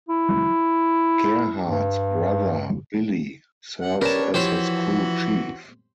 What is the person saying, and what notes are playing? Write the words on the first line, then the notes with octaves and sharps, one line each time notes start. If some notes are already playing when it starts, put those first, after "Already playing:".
Gerhart's brother Billy serves as his crew chief.
E4
G2
F#5
C#4 D4 G4 A#4 B4 C#5 A5
E3 F3 E4 F#4 G4 C5 C#5